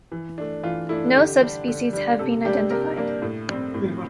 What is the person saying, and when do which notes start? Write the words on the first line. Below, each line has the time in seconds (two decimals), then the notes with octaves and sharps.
No subspecies have been identified.
0.12 E3
0.38 A3 D4
0.63 E3 F4
0.89 A3 D4 E4
1.15 D3 G4
1.41 G3 D4
1.67 D3
1.93 G3 D4
2.19 C3 A4
2.44 G3 A#3 D4 G4
2.70 C3 A#4
2.97 G3 A#3 D4
3.22 A2
3.48 G3 C4
3.74 A2